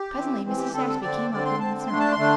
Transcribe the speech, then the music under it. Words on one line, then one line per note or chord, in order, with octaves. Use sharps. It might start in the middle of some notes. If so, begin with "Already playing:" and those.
Presently Mrs. Saxby came up, looking concerned.
Already playing: G4
E3 C4
E3 C4
G4
D3 C4 A4
A4
D3 C4 D5
D3 C4 D5
C6
D3 C4 A5
D3 A3 D4 C6
A5
C6
D3 A3 D4